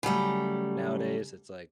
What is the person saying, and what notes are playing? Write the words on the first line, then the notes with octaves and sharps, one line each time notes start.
nowadays it's like
C#3 F#3 G3 A3